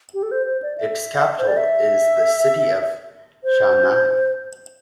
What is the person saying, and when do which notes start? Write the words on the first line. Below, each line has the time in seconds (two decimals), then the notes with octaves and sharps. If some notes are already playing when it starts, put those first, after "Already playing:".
Its capital is the city of Chania.
0.14 G4
0.23 A4
0.31 C5
0.46 C5
0.62 D5
0.78 E5
1.38 C5
1.47 D5
1.57 E5
3.44 C5